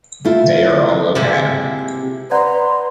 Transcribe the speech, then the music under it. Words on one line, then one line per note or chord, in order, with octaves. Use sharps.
They are all OK.
A3 E4 F4
C3 F3 G#3 A#3 E4 G4
B4 C5 D5 F#5 A#5 C6